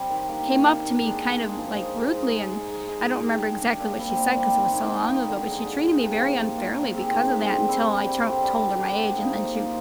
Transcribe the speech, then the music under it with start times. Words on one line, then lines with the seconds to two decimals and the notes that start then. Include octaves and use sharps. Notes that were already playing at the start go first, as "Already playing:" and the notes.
came up to me, kind of, like, rudely, and I don't remember exactly what she said 'cause it was so long ago, but she treated me very unfairly because of that until I t told her my age, and then she,
Already playing: G3 C4 G4
0.10 D#3
0.29 A#3 D4 G4
0.47 D#3
0.66 A#3 D4 G4
0.84 D#3
1.03 G#3 D4
1.21 D#3
1.39 G#3 D4
1.58 F3
1.76 G#3 D#4
1.95 F3
2.14 G#3 D#4
2.32 G#3
2.51 D#4 G#4
2.69 G#3
2.87 D#4 G#4
3.06 G#3
3.25 D4 G4
3.43 G#3
3.61 D4 G4
3.80 A#2
3.98 G3 C4 G4
4.17 A#2
4.35 G3 C4 G4
4.54 D#3
4.73 A#3 D#4
4.91 D#3
5.10 A#3 D#4
5.28 D3
5.46 G#3 D#4
5.65 D3
5.84 G#3 D#4
6.02 C3
6.20 F3 A#3
6.39 C3
6.58 F3 A#3
6.76 D#3
6.94 G#3 C4 G4
7.13 D#3
7.31 G#3 C4 G4
7.50 D3
7.68 G3 C4 G4
7.87 D3
8.06 G3 C4 G4
8.24 D3
8.42 G3 D4 G4
8.61 D3
8.79 G3 D4 G4
8.98 D3
9.16 F3 A#3 D#4
9.34 D3
9.54 F3 A#3 D#4